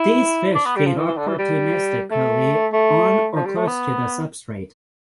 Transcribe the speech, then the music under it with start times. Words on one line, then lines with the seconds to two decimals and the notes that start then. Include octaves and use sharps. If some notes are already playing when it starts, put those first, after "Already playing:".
These fish feed opportunistically on or close to the substrate.
Already playing: E4
0.55 D4
0.66 B3
0.76 G3
0.86 F3
0.96 E3
1.07 E3
1.17 D3
1.28 E3
1.38 G3
2.11 A3
2.73 A3
3.36 F3
3.45 G3
3.57 A3
3.67 B3